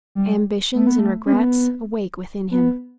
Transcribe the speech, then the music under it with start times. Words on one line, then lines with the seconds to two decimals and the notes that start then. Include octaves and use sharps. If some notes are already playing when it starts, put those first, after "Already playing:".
Ambitions and regrets awake within him.
0.15 G3
0.75 A3
0.87 B3
0.99 A3
1.26 C#4
1.33 B3
2.51 B3